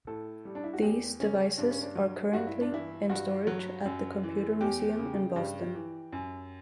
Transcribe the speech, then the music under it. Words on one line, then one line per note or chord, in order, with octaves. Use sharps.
These devices are currently in storage at the Computer Museum in Boston.
A2 A4
G3
D4
E4
F#4
E2 G4
C#3 C#4
G2 D4
C#4
D4
F#3
G2 F#4
E4
D4
E3 E4
G2 F#4
F#3
F#2
E3
E2 G4
C#3
G2
E3
F#2